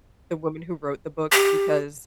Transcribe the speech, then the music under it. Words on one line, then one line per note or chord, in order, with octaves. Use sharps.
the woman who wrote the books, because
G4